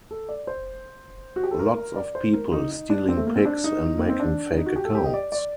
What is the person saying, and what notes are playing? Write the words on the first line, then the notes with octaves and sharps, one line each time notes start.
Lots of people stealing pics and making fake accounts.
A4
D5
C5
F#4
G4
A4
A#4
D5
C5
A#4
D#4
D#4
D4
C4
A3
A#3
C4
D4
D#4
A#3
C4
D4
D#4
F#4
G4
A4
G4
D#5
D5
D5